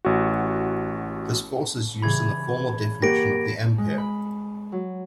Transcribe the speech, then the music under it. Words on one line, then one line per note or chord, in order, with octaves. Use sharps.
This force is used in the formal definition of the ampere.
A1 F#4
C#3 E3 G3 B5 G#6
A#3 G4 C#5 F#5 A#6 D7
G#3
B5
F#3